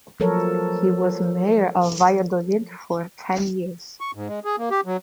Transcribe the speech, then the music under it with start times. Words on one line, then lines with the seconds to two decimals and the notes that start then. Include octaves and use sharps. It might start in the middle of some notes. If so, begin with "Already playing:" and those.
He was mayor of Valladolid for ten years.
0.20 F3 F#3 A4 A#4 C#5
4.00 C#6
4.15 G#2
4.28 G#3
4.45 G#4
4.58 A#3
4.70 G4
4.86 F#3